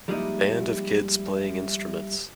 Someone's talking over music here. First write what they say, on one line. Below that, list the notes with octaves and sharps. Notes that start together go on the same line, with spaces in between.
Band of kids playing instruments.
F3 G3 G#3 A#3 D#4 E4